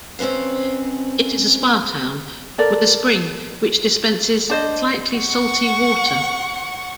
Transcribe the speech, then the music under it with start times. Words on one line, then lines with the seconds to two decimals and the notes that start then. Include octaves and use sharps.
It is a spa town, with a spring which dispenses slightly salty water.
0.19 F2 C4 C#4 B4 F5
2.58 A4 A#4 D5
4.50 D4 C5 D#5
5.13 F#5 C#6